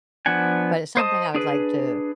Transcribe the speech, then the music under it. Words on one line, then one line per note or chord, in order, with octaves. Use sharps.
but it's something I would like to
F3 B3 D4 F#5 G#5
C5 D#5 A5 D#6
D4 G#4 B4